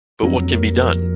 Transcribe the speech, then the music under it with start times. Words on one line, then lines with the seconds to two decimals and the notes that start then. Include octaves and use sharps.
But what can be done?
0.23 F2 F#3
0.51 A#3
0.78 A#4